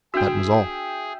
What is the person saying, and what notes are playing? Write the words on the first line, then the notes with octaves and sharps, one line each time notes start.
That was all.
D4 F#4 G#4 E5 G5